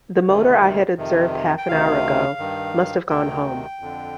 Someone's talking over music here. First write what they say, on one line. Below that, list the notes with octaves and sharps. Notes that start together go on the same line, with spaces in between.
The motor I had observed half an hour ago must have gone home.
D2 C3 D#3
F2 C3 D#3
G5
D2 C3 D#3 F5
G2 D#3
D2 C3 D#3 G5
F2 D3